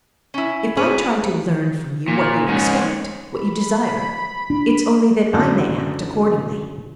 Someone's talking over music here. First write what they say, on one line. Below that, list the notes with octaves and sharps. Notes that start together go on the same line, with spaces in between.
"If I try to learn from you what you expect, what you desire, it's only that I may act accordingly."
C#4 E4
C4 G#4 B4 C#5
A#2
G#2 C#4
B5
D4
F#2 A2 D3 A4